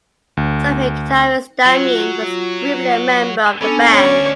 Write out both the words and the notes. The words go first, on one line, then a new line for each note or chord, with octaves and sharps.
Samhain guitarist Damien was briefly a member of the band.
D2
F#3 F4
B3 C#4 D4 A4 G#5
D2 C#4 C#5 D5